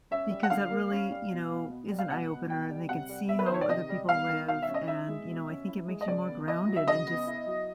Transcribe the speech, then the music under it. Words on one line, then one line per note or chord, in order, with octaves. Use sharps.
because that really, you know, is an eye-opener, and they can see how other people live, and, you know, I think it makes you more grounded and just,
C#4 E5
G3
F#5
D3 F5
A#3
C#4
G3
B2
B3
B2
G3
F5
B2 F#5
B3
B2 G5
G3
C3 F#5
G3
B3 E5
B4
C5
D#3
C#5
D5
C3 D#5
G3
B3 F5
D#3
B2 F5
E5
C#4
D#5
E4 E5
G#3
B2
C#4
E4
G#3
D#5
C#3 D5
B3
E4 D#5
F#3
E5
C#3 D#5
B3
E4
F#3